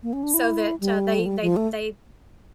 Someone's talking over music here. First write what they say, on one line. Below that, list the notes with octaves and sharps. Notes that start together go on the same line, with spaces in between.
so that, uh, they they they
A#3
C#4
D4
E4
G3
F3
G3
F3
A3